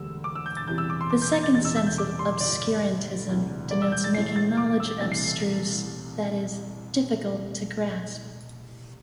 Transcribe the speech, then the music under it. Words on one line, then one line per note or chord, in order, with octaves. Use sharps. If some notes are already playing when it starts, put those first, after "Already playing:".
The second sense of "obscurantism" denotes making knowledge abstruse, that is, difficult to grasp.
Already playing: E1 D2 D3 G3 E6
D6
E6
G6
A6
E2 C3 E3 G3 G6
E6
D6
C6
D6
G6
A6
A6
E1 E2 C3 A6
E6
E6
G6
D6
C6
G1 G2 D3 D5
E1 D2 C3 E3
D5
E6
G6
A6
A1 A2 E3 A3 C7
A6
D6
E6
C2 C3 E3 A3 A6
C7